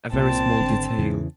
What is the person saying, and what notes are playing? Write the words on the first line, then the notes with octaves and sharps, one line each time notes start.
A very small detail.
C2 A#2 C4 A5
G#1 D3
E2 C#3 E3